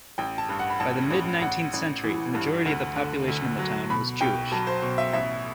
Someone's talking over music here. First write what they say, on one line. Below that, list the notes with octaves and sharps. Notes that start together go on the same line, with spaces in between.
By the mid-nineteenth century the majority of the population in the town was Jewish.
A1 G5
A5
G2
F#5
B5
A1 A5
A1
A1 F#5
A1
E3
G2
D2 F#5
D3
D2
F#3
B2 B5
B1 G5
F#3 A5
C5
B2
E5
A1 E5